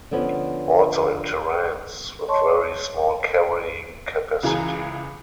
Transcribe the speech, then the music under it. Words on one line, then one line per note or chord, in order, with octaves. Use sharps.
Also in terrains with very small carrying capacity.
D3 F3 B3 C#4
C#5 D#5 A5 C6 C#6
C#2 E3 G#4 A#5